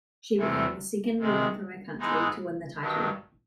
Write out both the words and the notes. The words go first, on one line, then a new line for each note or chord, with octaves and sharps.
She became the second woman from her country to win the title.
E2 C3 E3 A3
C3 D#3 G#3
G#2 E3 G#3 B3 D#4
G2 D#3 F#3